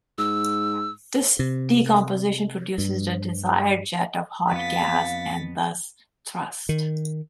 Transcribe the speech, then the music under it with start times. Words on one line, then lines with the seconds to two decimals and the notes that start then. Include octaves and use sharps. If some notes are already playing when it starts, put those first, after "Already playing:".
This decomposition produces the desired jet of hot gas and thus thrust.
0.18 G#2 E6
1.39 C3
2.78 G2
4.52 F2 B3 F5 A6 B6
6.69 D#3